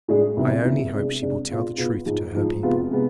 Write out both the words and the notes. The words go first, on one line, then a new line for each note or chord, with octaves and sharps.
I only hope she will tell the truth to her people.
A2 G#3 D4 G#4
C2 C3 E3 B3 E4
C2 C3 E3 B3 E4
C3 G#3 D4 G#4
C3 G#3 D4 G#4
B2 B3 F4 G#4
B2 B3 F4 G#4
G#2 F3 G#3
G#2 F3 G#3
C3 G#3 B3 F4
C3 G#3 B3